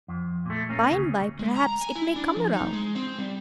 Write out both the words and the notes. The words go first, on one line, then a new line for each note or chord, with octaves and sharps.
By-and-by, perhaps, it may come round.
F2
A#2 A3
A#3 C#4
D2 C#3
G#3
A#5
G#5
E4
D4
F3
D#4
G#3
C4
G3